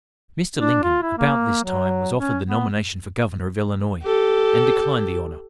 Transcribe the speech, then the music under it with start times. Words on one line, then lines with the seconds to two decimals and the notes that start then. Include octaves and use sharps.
Mr. Lincoln, about this time, was offered the nomination for Governor of Illinois, and declined the honor.
0.57 D4
0.83 F4
1.02 E4
1.18 A#3
1.64 F#3
2.16 C#4
2.47 B3
4.04 G4 A4